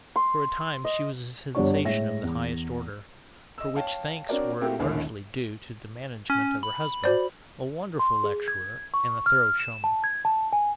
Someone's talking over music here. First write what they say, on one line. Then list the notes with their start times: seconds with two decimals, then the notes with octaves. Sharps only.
For a time she was a sensation of the highest order, for which thanks were largely due to the management of her husband, a wonderful lecturer and a thorough showman.
0.16 C6
0.85 D#5
1.55 G1 G3 B3 D4 C#5 C#6
1.85 A2 G#3 E5 A#6
2.23 E2
3.58 D#5 E6
3.76 C#5 F5 G5 A5
4.29 C4 D4 F#4 A#4 C#5 D5
4.61 A3 A#3 C4 E4 F#4 G4
4.79 E1 A#1 D#2 A2 D3 D#3
6.30 C#4
6.63 B5
7.04 F#4 C5 D5
7.99 C6
8.24 G#4
8.48 G#6
8.94 C#6
9.26 F6
9.59 E7
9.84 A5
10.04 G#6
10.25 A5
10.53 G#5